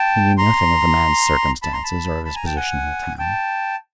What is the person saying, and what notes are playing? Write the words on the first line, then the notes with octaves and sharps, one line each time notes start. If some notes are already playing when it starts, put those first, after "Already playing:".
He knew nothing of the man's circumstances or of his position in the town.
Already playing: G5 A5
A#5 C6
A5 B5
A#5 C6
A5 B5
A5 B5
G#5 A#5
G5 A5
F#5 G#5
G5 A5